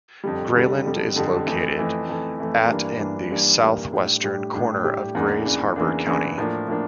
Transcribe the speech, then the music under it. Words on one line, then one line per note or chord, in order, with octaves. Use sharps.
Grayland is located at in the southwestern corner of Grays Harbor County.
F2 D3 G3
F2 D3 G3
F2 D3 G3
F2 D3 G3
F2 E3 A3
F2 E3 A3
F2 E3 A3
F2 E3 A3
G2 E3 G3 A#3 D4
G2 E3 G3 A#3 D4
G2 E3 G3 A#3 D4
G2 E3 G3 A#3 D4
A2 G3 D4 G4
A2 G3 D4 G4
A2 G3 D4 G4
A2 G3 D4 G4
E2 C#3 E3 A#3 D4
E2 C#3 E3 A#3 D4
E2 C#3 E3 A#3 D4
E2 C#3 E3 A#3 D4
A2 F3 A#3 D4
A2 F3 A#3 D4